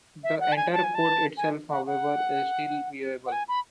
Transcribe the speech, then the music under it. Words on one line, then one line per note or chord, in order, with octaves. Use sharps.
The entire court itself, however, is still viewable.
E5
F#5
A5
G#5
A5
G#5
A5
G#5
F#5
F#5
F#5
G#5
B5